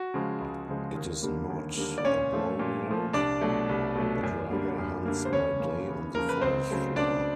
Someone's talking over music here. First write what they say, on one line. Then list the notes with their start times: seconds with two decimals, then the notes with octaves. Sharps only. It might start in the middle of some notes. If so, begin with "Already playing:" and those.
It is not arboreal, but rather hunts by day on the forest floor.
Already playing: F#4
0.14 C#3 F3 G#3
0.41 C#2
0.69 C#3 F3 G#3
0.95 D#2
1.22 D3 G3 A#3
1.50 D#2
1.77 D3 G3 A#3
1.98 D5
2.05 A#2 C#4 C#5
2.33 F3 A3
2.59 A#2
2.87 F3 A3
3.13 C2 D4 D5
3.41 B2 F#3 A3
3.69 C2
3.96 B2 F#3 A3
4.23 F#2
4.50 D3 G3 A#3
4.79 F#2
5.06 D3 G3 A#3
5.25 C5
5.32 E2 C#4 C#5
5.59 C#3 F3 A#3
5.88 E2
6.15 C#3 F3 A#3 A#4
6.29 B4
6.41 C#2 C4 C5
6.70 C#3 F#3 A3
6.96 C#2 D4 D5